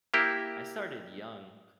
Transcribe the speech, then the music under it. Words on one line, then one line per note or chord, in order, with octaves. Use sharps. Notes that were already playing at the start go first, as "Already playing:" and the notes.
I started young.
A#3 E4 G4